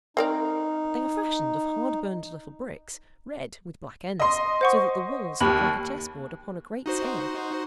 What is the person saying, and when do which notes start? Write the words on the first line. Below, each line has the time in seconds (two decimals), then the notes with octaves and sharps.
They are fashioned of hard-burned little bricks, red, with black ends, so that the walls look like a chess-board upon a great scale.
0.17 C4 D#4 A#4 D5
4.20 D#5 C6
4.61 C5 F#5 C#6
5.41 D#2 G4 B5
6.86 D#4 F#4 C5